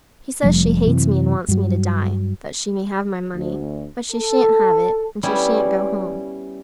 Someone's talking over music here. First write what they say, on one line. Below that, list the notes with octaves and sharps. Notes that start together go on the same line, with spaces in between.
He says she hates me and wants me to die, that she may have my money; but she shan't have it: and she shan't go home!
F1 F3 G3 A3
F#2 C3 E3
G2 F#3
D2
A4
G3 B3 C#4 E4